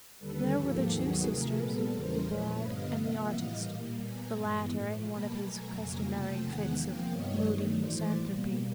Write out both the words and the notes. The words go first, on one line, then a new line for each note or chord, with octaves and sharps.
There were the two sisters, the bride, and the artist--the latter in one of his customary fits of moody misanthropy.
D#2 D3 G3 A4 B4
G#2 F3 A#3 G4 A4
D#2 D#3 F#3 B3 F#4 G#4
C3 F3 A3 G#4 A#4
A#2 G3 B3 A4 B4
E2 C#3 E3 G3 A#4 C5
A#2 F3 A3 B4 C#5
G2 D3 G3 B3 D#5 F5
C3 F3 A#3 E5 F#5
A2 E3 G3 D#5 F5
A#2 G3 A#3
A#2 G3 B3 G#5 A#5
G2 E3 G#3 B3
A2 F3 A3
B2 G3 A#3 A5 B5
B2 F#3 A3 G#5 A#5
F2 C#3 F#3 A#3 G#5 A#5
C3 F3 A3 G5 A5
E2 C3 D#3 G#3 B3 F#5 G#5
C3 F3 A#3 F5 G5
G2 D#3 G3 B3 C#5 D#5
G2 D#3 F#3 A3
A2 E3 A3 C5 D5
B2 G3 A#3